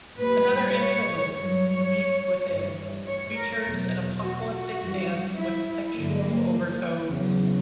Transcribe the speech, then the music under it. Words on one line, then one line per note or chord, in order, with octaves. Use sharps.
Another interlude, "The Beast Within", features an apocalyptic dance with sexual overtones.
A#2 G3 B4
C#5
G2 F#3 C#5
G2 E3 G3
C#5
A#4
E2 B2 F#3
F#4
F#4
F#2 E3 G3
E4
G2 D3 F#3 A#3
E2 C#3 F#3